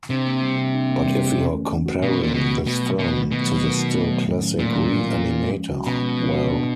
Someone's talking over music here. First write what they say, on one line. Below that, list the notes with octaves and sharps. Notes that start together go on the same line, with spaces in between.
But if you're comparing this film to the still classic "Re-Animator", well...
C3 D4
A#3
G3
G4
D4
A#3
G3
G4
C#4
A3
E3
F#4
B2 C#4
A#2 A3
B2 E3
F#4
B2 A3
F#3
B2 D#3
D#3
B2 A3
F#3
D#3
D#3
A3
F#3
A2
C#4
A#2 A3
F#3
A2
C#4
C#4
G#3
F3
F#4
B2 C#4
G#3
F3
F#4
D4